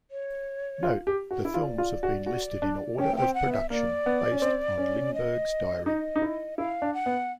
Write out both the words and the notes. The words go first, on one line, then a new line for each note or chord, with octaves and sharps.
Note: The films have been listed in order of production, based on Lindberg's diary.
C#5
F4
G4
F#4
E4
F4 D5
F4
F#4
F#4
D4
C#4 G5
G5
C4
F#5
B3
E5
A#3 D5
B3
C#4
C4
C#4
D#5
D#4 D#5
D#4
E4
E4 F5
D4
F#5
B3